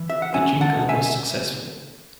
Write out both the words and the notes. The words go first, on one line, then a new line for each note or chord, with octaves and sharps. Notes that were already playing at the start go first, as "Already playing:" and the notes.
The jingle was successful.
Already playing: E3
E5
F#5
C#4 E5 G#5
F#5 A5
B2
E5 G#5